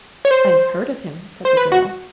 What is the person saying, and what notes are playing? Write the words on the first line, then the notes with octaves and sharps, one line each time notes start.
"I have heard of him," said the girl.
C#5
C5
C5
B4
F#4